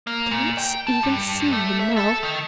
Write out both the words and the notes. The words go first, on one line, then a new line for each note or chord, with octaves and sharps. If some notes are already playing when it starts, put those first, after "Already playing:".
I cannot even see him now.
A#3
A#2
G5
A5
G2
G2
A3
E5
A4
D#3